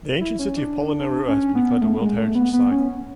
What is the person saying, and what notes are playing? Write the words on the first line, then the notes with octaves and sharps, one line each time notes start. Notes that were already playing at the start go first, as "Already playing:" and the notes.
The "Ancient City of Polonnaruwa" has been declared a World Heritage Site.
E4
C#4
D4
C#4
B3
A3
G#3
A3
B3
B3
C#4